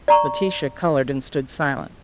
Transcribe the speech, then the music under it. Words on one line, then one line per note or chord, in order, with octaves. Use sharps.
Laetitia coloured and stood silent.
D5 A#5 C#6